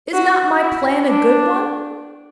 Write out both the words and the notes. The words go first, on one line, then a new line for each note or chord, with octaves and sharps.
Is not my plan a good one?'
F#4
E4
D4